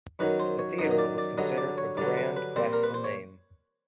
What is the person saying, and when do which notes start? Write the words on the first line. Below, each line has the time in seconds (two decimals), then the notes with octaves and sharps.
The Theatre was considered a grand classical name.
0.19 F#2 D#3 F#3 B4
0.40 C5
0.59 C#5
0.78 F#2 D#3 F#3 D#5
0.91 D#5
0.98 D5
1.18 D5
1.38 G2 D3 F#3 D#5
1.57 D5
1.78 C#5
1.97 G2 D3 F#3 D5
2.17 B4
2.36 B4
2.56 A#2 G3 C4 C5
2.73 A#4
2.83 B4
2.94 C5
3.04 C#5